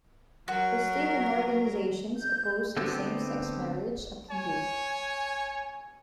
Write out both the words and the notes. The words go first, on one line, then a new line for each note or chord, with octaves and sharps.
The state and organizations opposed to same-sex marriage appealed.
F#3 F#4 A#4
G6
D3 A3 B3 C4
C#5 G#5